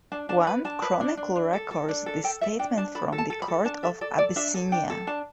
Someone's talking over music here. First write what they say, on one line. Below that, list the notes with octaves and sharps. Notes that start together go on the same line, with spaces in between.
One chronicle records this statement from the Court of Abyssinia.
D4 A5
D4 A5
B4 B5
D4 A5
B4
D4
D4
D4
A4
A4
D4
A4
A4 G5
A4 E5
D4 G5
D4 A5
A4 B5
A4
A5
A4
B5
A4
D4 A5
A4 E5
A4 D5
A4 D5
D4 E5
A4
D4 G5
A4
D4 A5